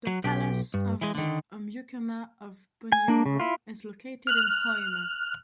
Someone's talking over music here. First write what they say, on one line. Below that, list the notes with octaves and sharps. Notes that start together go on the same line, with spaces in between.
The palace of the Omukama of Bunyoro is located in Hoima.
F#3
B1 G4
G2
E3 G#3
D3 D#3
G#5
A#3 D4
C#3
E4 F4
F6 F#6